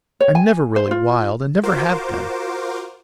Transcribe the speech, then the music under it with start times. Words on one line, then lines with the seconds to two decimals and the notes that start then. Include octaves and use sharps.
I'm never really wild and never have been.
0.20 C#5
0.35 G#5
0.76 C5
0.91 F4
1.63 F4 F#4 A#4 C5 D6